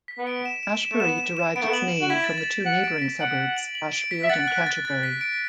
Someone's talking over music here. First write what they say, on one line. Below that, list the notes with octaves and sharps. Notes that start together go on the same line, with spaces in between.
Ashbury derived its name from the two neighbouring suburbs Ashfield and Canterbury.
B6
B3
D7
E7
E7
E7
A3
B3 E7
E7
E7
B3 D7
A3
B3 F#7
E7
F#4
E4 B6
A6
A6
F#5
D7
B6
F#5 D7
F#7
F#7
D7
B6
E5 B6
F#5 A6
F#6
A6
A6
B6
D7